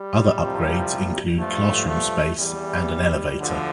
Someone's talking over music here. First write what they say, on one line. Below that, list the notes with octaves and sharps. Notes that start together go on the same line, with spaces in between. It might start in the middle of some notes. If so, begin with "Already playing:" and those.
Other upgrades include classroom space and an elevator.
Already playing: G3
C2 C3 F3
G2 F3 A3
A3
E2 E3 G3
D2 D3 F3